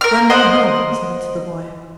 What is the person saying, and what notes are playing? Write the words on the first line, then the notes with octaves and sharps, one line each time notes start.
"Run down home," said he to the boy.
A#4 F6
C5 D#5 F#5